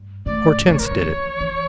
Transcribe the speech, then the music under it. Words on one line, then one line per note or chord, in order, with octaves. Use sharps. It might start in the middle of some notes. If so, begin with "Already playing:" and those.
"Hortense did it."
Already playing: G2
A2 D5
A2 D5
A#2 C#5
C#3 A#4
D3 C#5
E3
E3